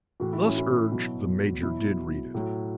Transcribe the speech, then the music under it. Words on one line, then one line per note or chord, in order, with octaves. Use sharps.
Thus urged, the Major did read it.
A2 E3 F#4
E4
C#4
E4
B2 F#3
B2 F#3 E4
A2 F#3